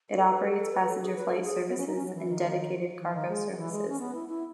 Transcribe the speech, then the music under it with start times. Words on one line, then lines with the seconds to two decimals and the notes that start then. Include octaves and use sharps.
It operates passenger flight services and dedicated cargo services.
0.16 A4
0.30 B4
0.45 A4
0.59 A4
0.73 B4
0.87 A4
1.02 G#4
1.15 B4
1.30 A4
1.43 G#4
1.69 B3
1.78 C#4
1.86 D#4
1.96 C#4
2.06 F#3
2.15 E3
2.29 D#3
3.00 E3
3.15 D#3
3.28 G#3
3.51 F#3
3.57 E3
3.72 G#3
3.89 C#4
3.99 B3
4.15 E4
4.28 E4